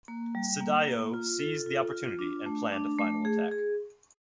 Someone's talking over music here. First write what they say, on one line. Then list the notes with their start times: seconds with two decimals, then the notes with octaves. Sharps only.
Sadayo seized the opportunity and planned a final attack.
0.08 A#3
0.35 G3
0.61 A#3
0.87 A#3
1.14 F4
1.39 A4
1.66 F4
1.93 F4
2.19 D4
2.46 A3
2.72 D4
2.98 A3
3.25 G#4
3.52 G#4